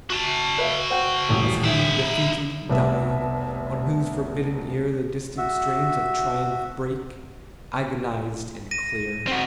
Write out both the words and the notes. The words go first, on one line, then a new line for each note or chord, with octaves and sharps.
As he, defeated, dying, On whose forbidden ear The distant strains of triumph Break, agonized and clear!
F#4 A5
B4 E5 F5
C5 F#5 G5
D#1 A1
D#4 E5
B5
F1 C2 B3 E5
F#4 E5
A#6 D#7
C4 F#4